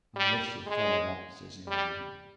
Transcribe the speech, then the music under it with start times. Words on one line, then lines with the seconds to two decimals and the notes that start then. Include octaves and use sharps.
'Unless you're followed up,' says the old man.
0.16 G3
0.67 G#3
1.68 G3